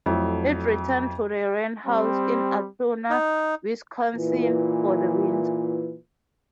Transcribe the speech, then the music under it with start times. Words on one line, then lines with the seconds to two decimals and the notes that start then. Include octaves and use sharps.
It returned to the roundhouse in Altoona, Wisconsin, for the winter.
0.06 F2 F#3 A3 E4
1.84 G3 C4
3.10 D#4
4.14 A#2 E3